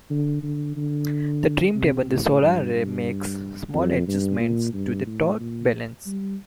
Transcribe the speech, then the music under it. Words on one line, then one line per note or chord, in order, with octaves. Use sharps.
The trim tab on the solar array makes small adjustments to the torque balance.
D3
D3
D3
C3
A2
G2
G2
F2
G2
A#2
G2
A2
A#2
G3